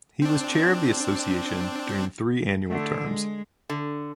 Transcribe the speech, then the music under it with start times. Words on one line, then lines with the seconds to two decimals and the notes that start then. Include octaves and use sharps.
He was chair of the Association during three annual terms.
0.22 C4 D4
2.67 D3 A3
3.02 G#3
3.69 D3